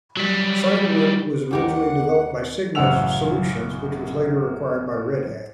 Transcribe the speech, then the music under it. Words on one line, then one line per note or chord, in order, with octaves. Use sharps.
Cygwin was originally developed by Cygnus Solutions, which was later acquired by Red Hat.
F#3 G3
D#2 G4 A#4 F#5
A1 F#2 C#3 F#5 E6 F7